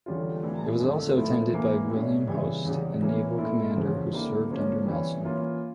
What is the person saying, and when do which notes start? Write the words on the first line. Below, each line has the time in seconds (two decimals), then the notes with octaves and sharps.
It was also attended by William Hoste, a naval commander who served under Nelson.
0.06 E2 D3 G3 C#4 F4
0.42 A2 E3 G3
0.80 F2 D3 A3
1.17 A2 F3 A3 E4
1.53 E2 E3 A#3
1.90 A2 G3 C#4
2.27 C#3 E3 G3
2.65 E2 C#3 G3
3.02 E3 A#3 C#4
3.38 A#2 A3 E4
3.76 E2 C#3 F3 C#4
4.12 D3 G3 A#3 E4
4.50 D3 F3 A#3 C#4
4.86 E3 G3 C#4 E4
5.23 E3 A#3 C#4 F4